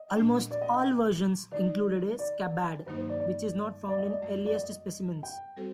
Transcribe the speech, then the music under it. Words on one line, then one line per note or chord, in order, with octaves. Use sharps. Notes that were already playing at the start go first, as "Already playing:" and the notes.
Almost all versions included a scabbard, which is not found in earliest specimens.
Already playing: D#5
A#2 A3 D4
D5
D#5
G5
D#3 A3 D#4 D5
D5
G2 D#3 F#3 A#3 D#4 C5
C5
D5
D5
D5
D#5
D5
F#2 F#3 A3
D5
D#5
G5
G3 C4 F#4 A4 C5